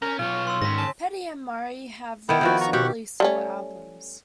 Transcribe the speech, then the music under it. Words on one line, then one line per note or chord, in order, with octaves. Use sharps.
Petti and Murray have also released solo albums.
C#4 A#4 G6
B1 F4 C#5
C6 E6
G#2 D#3 C#4 A#6 B6
G#5 A5
D#3 B3 E4 G5
D#3 F3 F#4
A#5 C#6
B2 G4 F#5 C#6
G3 A3 C#4